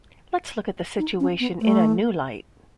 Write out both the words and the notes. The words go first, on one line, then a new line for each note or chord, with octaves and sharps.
Let's look at the situation in a new light.
D#4
C#4
B3
A3